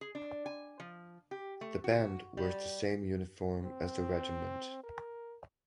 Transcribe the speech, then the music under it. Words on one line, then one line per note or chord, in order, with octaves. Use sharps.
The band wears the same uniform as the regiment.
G#4
D4
G#5
F3
G4
A3
F#4
G3
C4
A#4